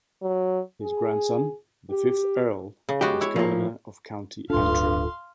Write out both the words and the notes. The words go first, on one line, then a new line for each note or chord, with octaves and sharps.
His grandson, the fifth Earl, was Governor of County Antrim.
F#3
G#4
G4
C#3
G#3 B3 F#4 G4
E4 C#5
A#2 F3 A#3
D1 G2 D4 F4 A4 F5 C6